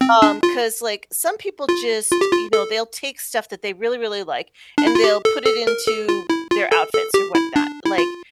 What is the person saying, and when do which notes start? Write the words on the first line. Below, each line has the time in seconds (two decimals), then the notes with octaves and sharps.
Um, 'cause, like, some people just, you know, they'll take stuff that they really, really like, and they'll put it into their outfits or whatnot. Like,
0.01 C4
0.22 D4
0.43 F4
1.69 F4
2.11 F4
2.21 G4
2.32 F4
2.53 A4
4.78 D4
4.87 E4
4.95 F4
5.04 G4
5.25 A4
5.46 A4
5.67 A#4
5.87 A4
6.09 F4
6.30 E4
6.51 F4
6.72 A4
6.93 A4
7.14 G4
7.35 E4
7.56 D4
7.85 E4
7.98 F4